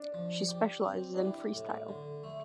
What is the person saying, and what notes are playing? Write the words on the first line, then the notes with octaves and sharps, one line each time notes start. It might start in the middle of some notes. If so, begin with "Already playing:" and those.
She specializes in freestyle.
Already playing: D4
F3
G4
C4
D4
E4 G4
A2
D3
A3